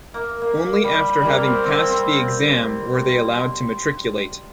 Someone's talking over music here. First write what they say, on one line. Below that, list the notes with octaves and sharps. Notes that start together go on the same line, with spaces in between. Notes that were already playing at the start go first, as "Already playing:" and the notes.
Only after having passed the exam were they allowed to matriculate.
A#3
A#3
G3
G3 A#3
C4
A#3 C4
C4